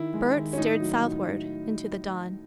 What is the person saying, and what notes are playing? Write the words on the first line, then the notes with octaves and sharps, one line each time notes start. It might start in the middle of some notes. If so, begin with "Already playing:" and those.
Bert stared southward into the dawn.
Already playing: D#3 E4
G#3
D#3
C#4
A2 D#4
F#3
A2